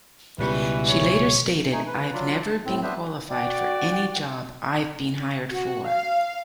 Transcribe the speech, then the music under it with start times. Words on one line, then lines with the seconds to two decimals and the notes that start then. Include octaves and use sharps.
She later stated, "I've never been qualified for any job I've been hired for".
0.39 C#2 B2 E3 G3 B4 C#6
0.89 C#5
1.72 A3 D#4 G#5
1.87 B4
2.13 F#3 D4 F4
2.41 A5
2.65 A2 C4
2.83 B3 D4 B4 C5 E5
3.31 F#4 D5 G5
5.52 F#4
5.87 F5